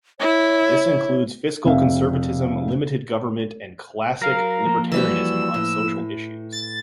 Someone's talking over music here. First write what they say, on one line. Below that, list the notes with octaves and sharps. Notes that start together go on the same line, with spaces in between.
This includes fiscal conservatism, limited government, and classic libertarianism on social issues.
E4 C#5
F1 F2 C4 E5 F5
F#3 A#4 F5
F3 A#3
E3 G3 F#4 E6
A2
A6